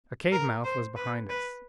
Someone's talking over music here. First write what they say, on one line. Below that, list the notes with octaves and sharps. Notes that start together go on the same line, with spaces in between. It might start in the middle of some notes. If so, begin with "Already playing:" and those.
A cave mouth was behind us.
A#4
C5
B4
B4